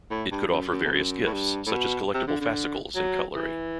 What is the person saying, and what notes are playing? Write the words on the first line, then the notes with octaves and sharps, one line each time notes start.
It could offer various gifts, such as collectible fascicles and cutlery.
A2
G2
F#2
F#2
E2
F#2
A2
G2
A2
B2
C3
D3
D3
F#3
E3